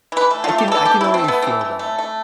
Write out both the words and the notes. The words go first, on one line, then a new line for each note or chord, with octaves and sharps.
I can I can already feel that.
E3 B4
A3
A3 F4
G4
E3 A4
E3 G4
A3 E4
C4
A3 B3
E3 C4
E3
A3
A3